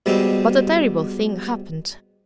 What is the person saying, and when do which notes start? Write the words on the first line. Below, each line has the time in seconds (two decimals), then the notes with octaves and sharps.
But a terrible thing happened!
0.06 B2 G3 G#3 C4